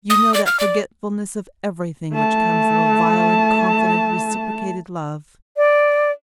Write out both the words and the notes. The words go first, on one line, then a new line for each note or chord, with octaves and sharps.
You know that forgetfulness of everything which comes of a violent confident, reciprocated love.
D#6
D5
F6
D5
A3 A5
D5